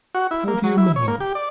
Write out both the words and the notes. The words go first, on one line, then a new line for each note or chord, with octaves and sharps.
"How do you mean?"
F#4
E4
A#3
F#3
E4
C#5
A#3
G4
D5